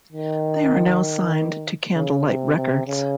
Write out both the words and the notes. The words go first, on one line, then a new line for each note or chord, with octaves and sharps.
They are now signed to Candlelight Records.
D#3
C#3
C3
C3
C#3